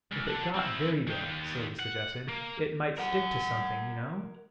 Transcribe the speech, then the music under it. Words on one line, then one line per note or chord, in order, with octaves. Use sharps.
"If it got very damp," Sylvie suggested, "it might stick to something, you know."
C#2
A4 F#5
C4 E4
D#3 G4
F#5
A#3
A#4 F#5